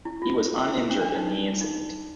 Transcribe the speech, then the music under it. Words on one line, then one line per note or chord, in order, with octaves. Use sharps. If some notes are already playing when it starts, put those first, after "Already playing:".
He was uninjured in the incident.
E4
F4
E4
C#4
D4
D#4
D#4